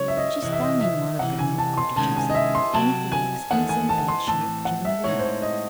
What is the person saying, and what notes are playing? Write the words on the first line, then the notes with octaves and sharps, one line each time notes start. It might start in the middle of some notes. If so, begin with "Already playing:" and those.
She's down in one of the mill cottages, and it leaks and is in bad shape generally.
Already playing: C#2 C#3 F#3 C#5
E5
D#5
C3 E3 C4 D#5
E5
D#5
E5
C2 C3 E3 F#5
G#5
A5
C6
C2 C3 D#3 G#3 C#4 A5
G#5
D#5
E5
C6
C3 F#3 C4 F#4 A5
G#5
E2 D#3 A3 F#5
G#5
A5
C6
A2 E3 C4 A5
F#5
E5
A2 G#3 C4 D#4 C#5
C5
C#5
D#5